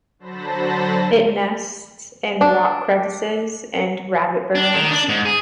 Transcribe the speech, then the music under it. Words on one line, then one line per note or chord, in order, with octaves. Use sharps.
It nests in rock crevices and rabbit burrows.
D3 F#3 C5 A5 B5 A#6
D4
D4
D#3
D4
G#2
G#4